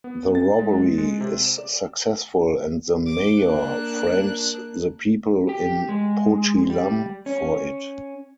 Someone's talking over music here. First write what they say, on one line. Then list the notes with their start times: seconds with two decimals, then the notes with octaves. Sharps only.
The robbery is successful and the mayor frames the people in Po-chi-lam for it.
0.04 B3
0.35 A6
0.59 G#3
0.98 G#3
1.21 C3
1.45 E7
1.58 D5
3.07 D6
3.42 A#3 D4 F#6
5.49 G4
5.89 G#3
6.70 G3
7.26 C#4